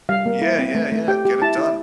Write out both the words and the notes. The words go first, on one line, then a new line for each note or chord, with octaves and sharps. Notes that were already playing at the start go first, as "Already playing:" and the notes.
Yeah, yeah, yeah, get it done.
G3 F5
A#3
E4
C4
A3
A3
G4 G5
G4
E4 A5
E4